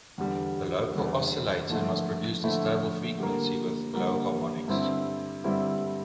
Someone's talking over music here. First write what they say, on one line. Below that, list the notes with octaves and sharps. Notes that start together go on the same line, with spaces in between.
The local oscillator must produce a stable frequency with low harmonics.
E2 D3 G3
E2 D3 G3
D3 F3 A3 E4
D3 F3 A3 E4
D3 G3 A#3
D3 G3 A#3
G2 D3 G3 C4 E4
G2 D3 G3 C4 E4